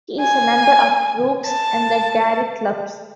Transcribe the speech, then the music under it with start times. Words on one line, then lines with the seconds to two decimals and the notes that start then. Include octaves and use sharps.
He is a member of Brooks's and the Garrick Clubs.
0.21 G#5
1.47 A5